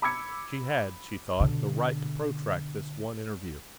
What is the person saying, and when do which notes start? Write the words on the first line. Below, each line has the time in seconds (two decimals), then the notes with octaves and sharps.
She had, she thought, the right to protract this one interview.
0.02 B5 D6 E6 G#6 C#7
1.40 B2 D3